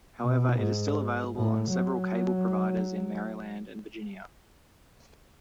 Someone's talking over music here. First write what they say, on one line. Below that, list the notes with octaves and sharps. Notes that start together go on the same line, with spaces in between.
However, it is still available on several cable providers in Maryland and Virginia.
B2
G#2
A2
F#3